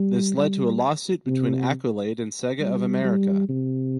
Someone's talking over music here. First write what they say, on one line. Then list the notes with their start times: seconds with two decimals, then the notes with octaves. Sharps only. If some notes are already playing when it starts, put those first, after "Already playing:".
This led to a lawsuit between Accolade and Sega of America.
Already playing: G3
0.37 G3
1.26 C3
2.60 G3
3.04 G3
3.49 C3